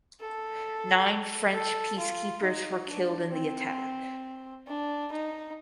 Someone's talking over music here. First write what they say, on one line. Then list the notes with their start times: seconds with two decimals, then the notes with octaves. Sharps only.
Nine French peacekeepers were killed in the attack.
0.20 A4
1.53 A4
1.98 F4
2.42 D#4
2.88 D4
3.32 C4
4.67 D4
5.11 D#4